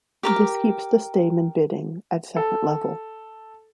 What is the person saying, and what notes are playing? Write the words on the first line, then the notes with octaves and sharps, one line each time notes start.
This keeps the Stayman bidding at second level.
G4 A#4 D6
A4